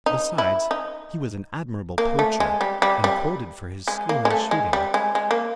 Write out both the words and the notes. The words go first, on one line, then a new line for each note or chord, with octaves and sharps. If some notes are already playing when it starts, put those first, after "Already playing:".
Besides, he was an admirable poacher, and quoted for his skill in shooting.
D#4
E4
D#4
A#3
A3
G#3
G3
G3
G3
G#3
A#3
G#3
A3
G#3
G3
G#3
G#3
A#3